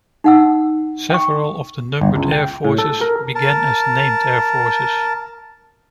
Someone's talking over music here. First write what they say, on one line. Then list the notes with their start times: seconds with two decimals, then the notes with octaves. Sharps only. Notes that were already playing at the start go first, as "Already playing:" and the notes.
Several of the numbered air forces began as named air forces.
0.24 D#4 F#5 E6
1.10 G5 C#6
2.01 G1
2.16 C#2
2.32 G5
2.65 A2
2.78 A4
3.01 A#4
3.35 A#4 A5